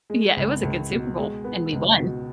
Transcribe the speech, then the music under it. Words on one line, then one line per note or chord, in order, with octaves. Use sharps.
Yeah, it was a good Super Bowl, and we won.
G#3
C#2
C#2
B2
G#3
B3
C#2
B2